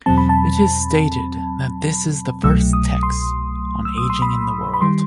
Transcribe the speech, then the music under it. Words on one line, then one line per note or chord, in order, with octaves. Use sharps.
It is stated that this is the first text on ageing in the world.
E2 B2 F#3 C4 A5
B5
A5
C2 B2 F#3 A3 E6
D#6
C6
E6
D#6
C6
B5
B5
D#3 G3 C6